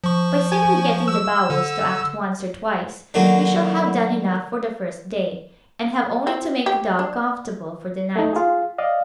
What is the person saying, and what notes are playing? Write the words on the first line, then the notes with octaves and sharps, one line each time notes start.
By simply getting the bowels to act once or twice, we shall have done enough for the first day, and have only to make the dog comfortable for the night.
F3 C#6
G#5
E6
D3
D3 D#3 F#3 A#3 F#4
C4
G4
D4
A3 D#4
F4 G#4
D5 D#5 F5